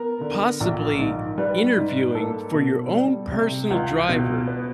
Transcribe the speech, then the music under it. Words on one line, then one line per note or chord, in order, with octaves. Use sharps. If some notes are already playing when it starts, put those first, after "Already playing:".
possibly interviewing for your own personal driver.
Already playing: B3 A#4
D3
A#1
G#2
G3 B4
G#2
A#3 A4
B2
G3
C3
C#2
B2
B3